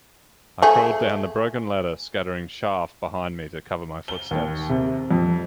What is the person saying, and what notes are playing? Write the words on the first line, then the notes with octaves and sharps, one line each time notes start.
I crawled down the broken ladder, scattering chaff behind me to cover my footsteps.
A3 G#4
G7
D#2
C3
F2